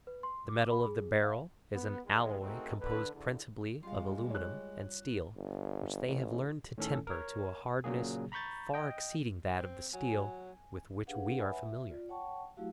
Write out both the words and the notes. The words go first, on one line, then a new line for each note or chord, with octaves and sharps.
The metal of the barrel is an alloy composed principally of aluminum and steel which they have learned to temper to a hardness far exceeding that of the steel with which we are familiar.
B4
C6
D6
B5
G#4
F5
B3
D#2 D#3 E3 G#3
A3 C4 D#4 F#4 G#4 A#4
D3 B4
E2 D3
G3 G#3 F4 F5
C#5 F#6
G1
A1
A2 D#3 C#4 A4
A#4 C#5
A#2 C#3 F#3 A#3 G#4
A#5 B5 C#6 G6 A6
D#5 G5
C4
F#3 G#5
D4 G4 G#4 B4 F5 F#5
B4 C#5 E5 F#5 G#5 B5
E5
F4 D5
C#5 F#5 G5 A5 C#6
F#3 A3 E4 F#4 G4 F5